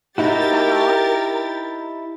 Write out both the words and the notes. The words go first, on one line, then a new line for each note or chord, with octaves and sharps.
"Is that all?"
D#4 E4 F#4 G4 A#4 A6